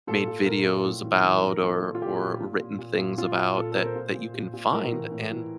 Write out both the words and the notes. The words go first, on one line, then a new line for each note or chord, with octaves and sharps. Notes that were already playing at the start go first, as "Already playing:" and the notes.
made videos about or or written things about that that you can find and,
A#2 A4
A#2
A#2 A#4
A#2
A2
E3
E3
A#4
E3
A#4
A#2 A4
A#2
F4
A#2 G4
A#2
A#2
A#2
A#2
A#2
A#2 F4
A#2
A#2 A4
A4
A#2 A#4
C5
A#2
A#2
A#2
A#2
A2 A#4
E3
A2
E3